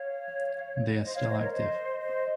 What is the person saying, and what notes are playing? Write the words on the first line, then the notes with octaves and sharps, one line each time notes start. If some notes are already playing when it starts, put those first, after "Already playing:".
They are still active.
Already playing: C#5 F5
C5 D#5
C#5 F5
C5 D#5
A#4 C#5
C5 D#5
C5 D#5
D#5